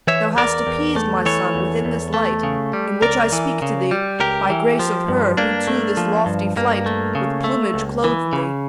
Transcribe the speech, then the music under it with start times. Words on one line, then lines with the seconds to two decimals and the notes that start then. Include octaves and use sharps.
Thou hast appeased, my son, within this light In which I speak to thee, by grace of her Who to this lofty flight with plumage clothed thee.
0.07 E3 C#5 E5
0.37 E2 A#4 D5
0.67 E2
0.96 A3
1.26 E3 A4 C#5
1.55 E2
1.85 E2
2.14 A3
2.43 C#3
2.73 G3
3.02 C#2 A#4 D5
3.32 E3
3.62 C#3
3.91 G3
4.20 C#2 G4 A#4
4.50 E3
4.79 F3
5.08 G2
5.37 G2 A#3 D4
5.67 A3
5.97 F3
6.26 G2
6.56 G2 A#3
6.86 A3
7.15 C#3
7.44 A3
7.74 C#2
8.04 E3
8.33 C#3